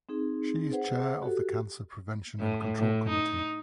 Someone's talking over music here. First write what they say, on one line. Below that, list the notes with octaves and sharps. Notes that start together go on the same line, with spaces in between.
She is Chair of the Cancer Prevention and Control Committee.
C4 D#4 G#4
G#4 B4 C5 F#5
F#4 G4 A4
A2
A2
D#4